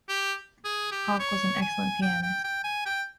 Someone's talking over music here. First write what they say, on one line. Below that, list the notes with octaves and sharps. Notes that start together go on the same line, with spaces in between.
Hawke was an excellent pianist.
G4
G#4
G4
C#5
G#5
G5
G5
G5
G#5
G5